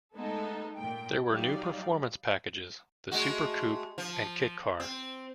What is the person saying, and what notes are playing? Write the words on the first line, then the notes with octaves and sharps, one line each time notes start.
There were new performance packages, the Super Coupe and Kit Car.
G#3 A3 B3 D#4 A4
A#2 G5
F#3 G3 D#4 D5 F5
G#3 A3 F#4
F3
C4